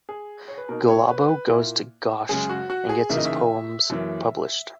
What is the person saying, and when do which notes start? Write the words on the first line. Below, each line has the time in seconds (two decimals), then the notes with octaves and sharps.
Gulabo goes to Ghosh and gets his poems published.
0.09 G#4
0.48 C#5
0.58 B4
0.69 B2 A#3 D#4 A#4
0.88 C#5
1.08 B4
1.29 B4
1.48 A#2 A#3 E4
2.29 F#2 C#3 G#3 G#4
2.49 F#4
2.70 F#4
2.89 G#4
3.09 C#3 E3 A#3 D#4 E5
3.17 D#5
3.25 E5
3.90 F#2 E3 A#3